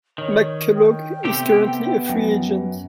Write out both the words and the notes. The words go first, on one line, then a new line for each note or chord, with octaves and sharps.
McCullough is currently a free agent.
D#3 C#5
G5
C3 A3 B3 G4
F#2